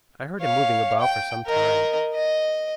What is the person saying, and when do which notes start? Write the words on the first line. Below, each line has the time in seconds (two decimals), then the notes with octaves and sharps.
I heard him moving about for some time.
0.40 C#5 F5
1.00 G5
1.46 A#4 D#5
2.14 D#5